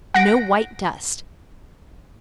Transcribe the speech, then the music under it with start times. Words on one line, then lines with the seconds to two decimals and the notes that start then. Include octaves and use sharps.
No white dust.
0.14 F#5 A#6 D7